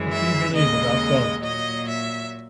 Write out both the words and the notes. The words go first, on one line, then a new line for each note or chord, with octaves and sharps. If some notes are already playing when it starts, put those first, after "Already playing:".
What do you believe about God?
Already playing: F#2 E3 G#3
E5
D#2 C#3 G#3 D#5
A#2 F#3 D#5
E5